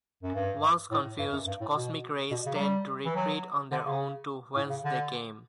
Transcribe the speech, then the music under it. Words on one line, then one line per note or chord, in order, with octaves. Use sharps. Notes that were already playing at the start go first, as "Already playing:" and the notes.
Once confused, cosmic rays tend to retreat on their own to whence they came.
F#2
G2
A2
G2
F#2
G2
A2
B2
B2
C#3
F#3
G3
E3
F#3
D3
C#3
A2
C#3
D3